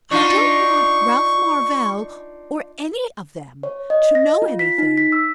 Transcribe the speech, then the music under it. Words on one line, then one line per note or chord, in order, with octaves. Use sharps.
I don't want Ralph Marvell--or any of them--to know anything.
D4 D#4 F4 C#6
C#5
D#5
D#5
A#6
F4
B6
D#4
B6
E6